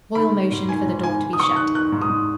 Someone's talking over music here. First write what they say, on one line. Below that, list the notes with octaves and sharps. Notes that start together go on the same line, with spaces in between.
Foyle motioned for the door to be shut.
D#3 B5
D#3
G#2
D#3 G#5
G#2
D#3 G#5
D#3
D#6
D#3 C#6
D#3 F#6
D#3 F#6
G#2
D#6
G#2